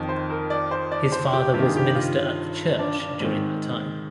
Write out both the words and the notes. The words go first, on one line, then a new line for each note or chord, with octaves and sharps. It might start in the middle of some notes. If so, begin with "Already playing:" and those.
His father was minister at the church during that time.
Already playing: F2 D#3
C5
A#4
D5
C5
D5
C5
G4
G2 D#3 G4
G#4
G4
F4
D4
D4
G#2 D#3 C4